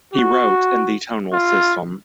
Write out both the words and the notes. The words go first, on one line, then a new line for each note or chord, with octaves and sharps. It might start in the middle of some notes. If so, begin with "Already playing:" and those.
He wrote in the tonal system.
F#4
F4